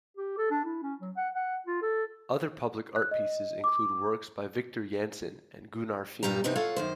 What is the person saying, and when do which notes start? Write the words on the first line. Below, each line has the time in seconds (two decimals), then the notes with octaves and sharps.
Other public art pieces include works by Viktor Jansson and Gunnar Finne.
0.17 G4
0.38 A4
0.51 D4
0.65 E4
0.82 C#4
1.01 F#3
1.17 F#5
1.35 F#5
1.67 F4
1.82 A4
2.96 F#6
3.11 D#5
3.64 D6
6.23 G2 A#2 G3 G4 A#5
6.44 C3 E3 B3 C4 D#4
6.56 F4 A4 C#5 F5 F#5
6.76 F#2 D#3 C5